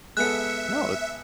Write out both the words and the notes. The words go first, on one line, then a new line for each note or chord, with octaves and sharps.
No that
G#3 B3 A4 E5 F#6 C#7